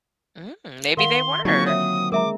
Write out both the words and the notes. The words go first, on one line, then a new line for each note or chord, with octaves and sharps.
Mm, maybe they were.
D#3 A#4 F5 F#5 C6
D3 F#3 A#3 C4 D#4 F4 C#6
C#5 E5 D#6
G#3 A#4 E5 A#5 D6